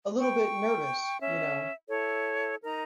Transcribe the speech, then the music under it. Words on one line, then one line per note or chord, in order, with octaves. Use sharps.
A little bit nervous, you know.
G5 C#6
C#4 E5
E4 A4 C#5
D#4 A#4 A#5